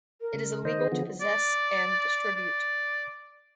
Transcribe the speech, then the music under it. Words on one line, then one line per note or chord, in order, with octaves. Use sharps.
It is illegal to possess and distribute.
A#4
C#3
D#3 C5 D#5
G#4
D3 F3 B3
D5
D5